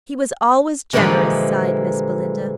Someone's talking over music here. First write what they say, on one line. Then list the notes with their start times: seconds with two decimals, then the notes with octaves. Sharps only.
"He was always generous," sighed Miss Belinda.
0.93 A#2 D3 E3 F3 G3 G#3